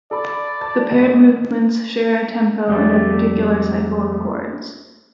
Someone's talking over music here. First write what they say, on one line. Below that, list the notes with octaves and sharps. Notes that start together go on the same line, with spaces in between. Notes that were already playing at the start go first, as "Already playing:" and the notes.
The paired movements share a tempo and a particular cycle of chords.
A4 D5 B5
A5 A6
G#1 D#5
F2 G3 A3